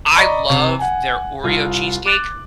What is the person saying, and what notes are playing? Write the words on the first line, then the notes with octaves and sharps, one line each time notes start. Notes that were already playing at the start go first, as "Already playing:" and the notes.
I love their Oreo cheesecake.
D5 D#5 A#5 B5 C#6
C3
F#5 G#5
C2 F4
D6 F#6 A6